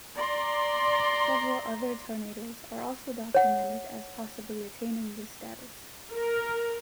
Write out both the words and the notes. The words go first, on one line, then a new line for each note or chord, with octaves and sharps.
Several other tornadoes are also documented as possibly attaining this status.
D5 A#5 C6
C#5 F#5
A#4